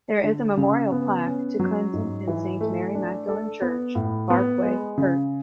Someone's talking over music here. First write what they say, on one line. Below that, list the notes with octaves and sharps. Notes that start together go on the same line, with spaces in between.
There is a memorial plaque to Clinton in Saint Mary Magdalene Church, Barkway, Herts.
D3
C#3
B3
C#4
F#3
G#2
E3
A3
D4
A4
B3
A2
B3
G#3
C#3